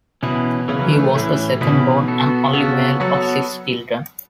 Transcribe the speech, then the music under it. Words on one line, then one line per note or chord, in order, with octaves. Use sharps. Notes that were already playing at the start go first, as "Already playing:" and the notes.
He was the second born and only male of six children.
B2 E3 C#4 E4 B4
C#3 E3 C#4 E4 B4
F#3
A3
A3
A2 E3 C#4 E4 B4
B2 E3 C#4 E4 B4
B3 F#4 A4
C#3 B3 F#4 A4
F#3 B3 F#4 A4